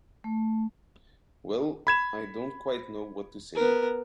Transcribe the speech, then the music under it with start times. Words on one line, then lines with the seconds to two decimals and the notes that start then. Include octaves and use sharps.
Well—I don't quite know what to say.
0.24 A3
1.87 B5 G#6 E7
3.55 B3 A#4